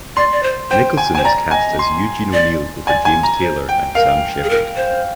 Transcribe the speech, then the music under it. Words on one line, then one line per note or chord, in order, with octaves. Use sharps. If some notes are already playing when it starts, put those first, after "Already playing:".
Nicholson was cast as Eugene O'Neill over James Taylor and Sam Shepard.
D5 C6
D5
C5
C5 G5
G#5
C5 G#5
D5 A#5
D#5 G#5
C6
D5
D5 G#5
G#5
A#5
C5
G5
A#4 F5
G#4
A#4
C5